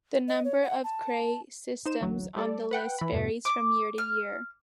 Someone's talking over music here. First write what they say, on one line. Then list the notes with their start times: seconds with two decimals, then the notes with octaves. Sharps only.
The number of Cray systems on the list varies from year to year.
0.28 D#5
0.45 C#5
0.63 F#5
0.84 A5
1.86 D#4 C5 E7
2.01 A1 D2 F#3
2.36 G3 A4 D5
2.71 B4 F#5 G5
2.99 E3 B5
3.12 E2 G2 B2
3.45 D6
3.98 F6